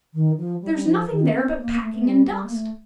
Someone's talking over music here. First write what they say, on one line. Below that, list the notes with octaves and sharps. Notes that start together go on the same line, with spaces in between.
There's nothing there but packing and dust.'
D#3
F3
G3
G3
F3
D#3
C4
A#3
A3
A3
G3
G3
A#3
A3